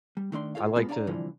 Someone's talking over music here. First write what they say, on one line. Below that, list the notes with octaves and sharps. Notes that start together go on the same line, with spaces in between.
I like to
G3
D#3 A3 D4 C6
F4 G4 A4 C#5 F5
G#3 A#3 B3 F4 A4
D4 C#5 D5 F5 G#5 A#5
C2 D3 E3 F3